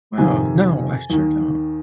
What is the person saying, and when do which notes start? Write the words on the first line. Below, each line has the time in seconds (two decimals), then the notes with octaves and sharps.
Wow, no, I sure don't.
0.18 F2 C3 D#3 G#5
1.10 D#2 D#3